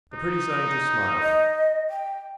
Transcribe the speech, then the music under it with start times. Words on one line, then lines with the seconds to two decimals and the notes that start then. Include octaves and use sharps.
The pretty scientist smiled.
0.13 D#4
1.22 D#5
1.90 G5